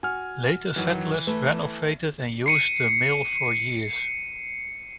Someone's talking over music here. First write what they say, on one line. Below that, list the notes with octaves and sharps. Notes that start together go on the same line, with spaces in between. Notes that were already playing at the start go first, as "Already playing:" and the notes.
Later settlers renovated and used the mill for years.
F#4 G#5 F6
F#2 D#3 E3 F#3
A3 B4
C7 C#7 D#7